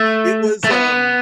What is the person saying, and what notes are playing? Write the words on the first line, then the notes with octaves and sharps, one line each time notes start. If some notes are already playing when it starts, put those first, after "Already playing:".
It was, um
Already playing: A3
A3
B3